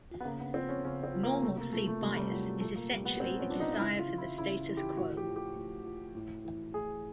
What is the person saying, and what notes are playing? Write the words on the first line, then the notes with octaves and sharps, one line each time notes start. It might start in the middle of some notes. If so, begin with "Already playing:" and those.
Normalcy bias is essentially a desire for the status quo.
B3
C#3 A#3
B3
F3 C4
C#4
C#3 C#4
C4
F3
A#3
C3 A3
A#3
F3 A3
A3
C3 G3
G3
F3 F#3
G3
A#2 A3
A#3
F3 G3
B3
A#2 C4
C#4
F3 D4
D#4
D#4
C#3 E4
F4
E3
E4
C#3 E4
E3
G4
A2 F#4
G4
F3
G4
A2
F3
A2
E3
A2 G#4